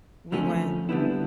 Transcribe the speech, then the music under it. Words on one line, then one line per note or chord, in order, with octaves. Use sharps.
We went
F2 D3 F3 A3 C#4
D3 G3 B3 E4